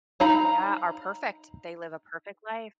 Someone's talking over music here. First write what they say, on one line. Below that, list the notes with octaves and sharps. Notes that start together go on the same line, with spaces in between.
Yeah, are perfect. They live a perfect life.
D#4 F5 A#5 B5